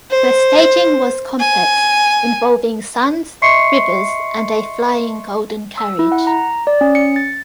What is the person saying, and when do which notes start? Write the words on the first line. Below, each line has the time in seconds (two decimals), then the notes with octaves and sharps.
The staging was complex, involving suns, rivers, and a flying golden carriage.
0.10 C5
1.40 G#5
3.42 D#5 E5 C6 C#6 C7 C#7
5.78 E6
5.99 E4
6.12 F#5
6.27 A#5
6.67 D5
6.81 C#4
6.95 C#7
7.16 A6